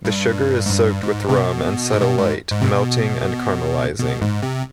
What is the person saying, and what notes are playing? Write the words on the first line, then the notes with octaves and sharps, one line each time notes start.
The sugar is soaked with rum and set alight, melting and caramelizing.
G2
G#2
G2
G#2
C3
B2
G#2
B2
G#2
G#2
C3
B2
B2
G#2
C3